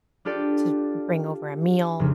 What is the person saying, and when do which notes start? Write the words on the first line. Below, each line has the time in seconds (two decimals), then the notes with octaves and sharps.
to bring over a meal,
0.25 D4 F4 G4 A4 D5
1.99 F1 C#3